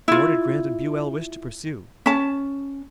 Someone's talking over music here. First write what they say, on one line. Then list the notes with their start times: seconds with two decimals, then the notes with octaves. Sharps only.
Nor did Grant and Buell wish to pursue.
0.08 E4 F4
2.06 C#4 A5